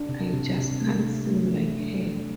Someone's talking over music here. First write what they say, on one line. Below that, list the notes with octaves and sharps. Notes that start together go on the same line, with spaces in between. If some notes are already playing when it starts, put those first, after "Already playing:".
I just can't sing it like her.
Already playing: D4
C3
C3
C3
A3
D4
A3
D4
D4
F3